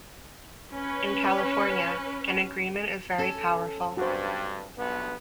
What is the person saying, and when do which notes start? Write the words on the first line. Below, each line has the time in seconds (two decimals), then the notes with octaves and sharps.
In California, an agreement is very powerful.
0.72 C#4 B4
3.18 C#4 A4
3.97 B1 G2 F#4 C5
4.76 B1 G2 B3